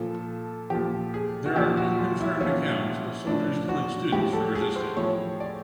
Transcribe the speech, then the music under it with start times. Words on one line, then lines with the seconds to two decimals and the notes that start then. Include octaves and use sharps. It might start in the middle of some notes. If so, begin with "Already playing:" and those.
There are unconfirmed accounts of soldiers killing students for resisting.
Already playing: A#2 F3 A4
0.70 A#2 F3 G4
1.14 G#4
1.46 F#4
1.56 A#2 F3 G4
1.77 F#4
1.98 F4
2.21 E4
2.41 A#2 F3 C#4
3.27 A2 F3 D4
3.69 F#4
4.12 A2 F3 G4
4.33 A4
4.55 G#4
4.76 C5
4.97 A2 F3 C#5
5.40 D5